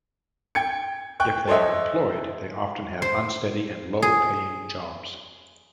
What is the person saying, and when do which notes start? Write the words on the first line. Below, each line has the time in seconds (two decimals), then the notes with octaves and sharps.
If they are employed, they often have unsteady and low-paying jobs.
0.55 G5 G#6 C#7
1.20 G5 C#6 F#6
1.48 A4 C5 C#5 D#5 E5
3.02 C5
4.02 G#4